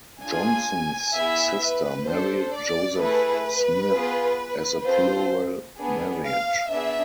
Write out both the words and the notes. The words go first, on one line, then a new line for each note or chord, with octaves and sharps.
Johnson's sister married Joseph Smith as a plural marriage.
D4 F4 G#4 G#5
B3 E4 G#4 E5
B4
D4 A4 C5
D5
A3 E4 G#4 B4
B3 F4 G#4
C4 F4 A4 C5
B3 D4 G#4
F5
B3 D4 G#4 E5